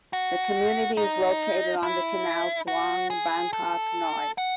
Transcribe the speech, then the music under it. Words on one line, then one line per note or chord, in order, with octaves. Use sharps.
The community is located on the canal Khlong Bangkok Noi.
F#4
D#4
E4
F#4
G#4
A4
F#5